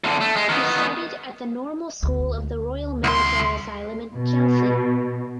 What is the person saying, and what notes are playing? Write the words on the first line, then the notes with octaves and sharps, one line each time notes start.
He studied at the Normal School of the Royal Military Asylum in Chelsea.
E2 D3
A3
G#3
D#3 B3
D2
C2 C6
B2